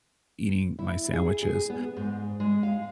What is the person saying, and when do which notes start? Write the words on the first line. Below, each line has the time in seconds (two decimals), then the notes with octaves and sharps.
eating my sandwiches?
0.79 E4
1.13 G#4
1.43 G#4
1.70 B3
1.96 G#2
2.40 G#3
2.63 F5